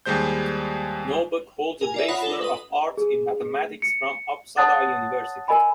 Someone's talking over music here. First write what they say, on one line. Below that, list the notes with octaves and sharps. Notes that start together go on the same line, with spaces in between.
Norberg holds a Bachelor of Arts in mathematics from Uppsala University.
D#2 G3 G#3 C5 G6
A#4 G#5
F4 D5 E5
F4 C#5 F#5 B5 D#6 A#6
A4 G7
B4 D#6
G#4
C#7
C#5 F#5 A5 D#6 F#6 A6
A#4 D#5 G#5 B5